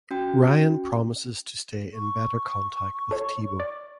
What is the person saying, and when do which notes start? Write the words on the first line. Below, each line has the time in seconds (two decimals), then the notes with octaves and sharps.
Ryan promises to stay in better contact with Tibo.
0.11 C#4 F#4 G5
1.94 C#6
3.11 A4 C#5
3.60 D5